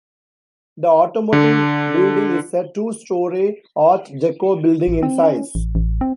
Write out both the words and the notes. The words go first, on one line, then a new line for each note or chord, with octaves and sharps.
The Automotive Building is a two-storey Art Deco building, in size.
D3
A1
C4
C#4
A1
A1
C4